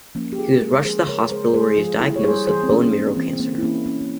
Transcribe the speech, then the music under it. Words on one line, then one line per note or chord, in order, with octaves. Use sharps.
He was rushed to the hospital where he was diagnosed with bone marrow cancer.
F3 A#3 C#4
G4
F3 F4 G#4
G#3 G4 A#4
F3 G#4 C5
C#3 A#4 C#5
A#4
G#3 G#4 C5
G#3 G#4 C5
F3 F4 G#4
A#3 E4 G4
C#5
G3 G#4 C5
E3 G#4 C5
C4
A#3 C#4
A#3
E3 C4
A#3 C4
E4
E3 A#3 C#4
A#3 C#4
A#3